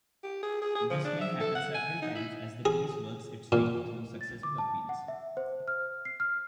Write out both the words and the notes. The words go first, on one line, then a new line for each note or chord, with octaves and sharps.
This may happen several times as the case works its way through successive appeals.
G4
G#4
G#4
G#4
F3
D4
E5
A4
F#5
G#5
D#4
E4
G#4
A#2
A6
D6
A5
F#5
E5
C5
F6
C7
F6